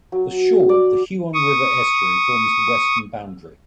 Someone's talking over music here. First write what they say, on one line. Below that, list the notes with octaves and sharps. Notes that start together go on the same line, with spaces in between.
The shore of the Huon River estuary forms the western boundary.
F#3
D5
C#6 D#6